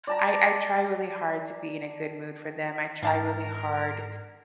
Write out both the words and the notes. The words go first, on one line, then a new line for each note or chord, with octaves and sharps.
I I try really hard to be in a good mood for them. I try really hard,
D5 A5 A#5
G#2 D4 A#4 A5 A#5